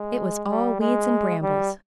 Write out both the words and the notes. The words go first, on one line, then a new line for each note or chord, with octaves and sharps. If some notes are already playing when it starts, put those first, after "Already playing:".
It was all weeds and brambles.
Already playing: G#3
G3
G#3
G3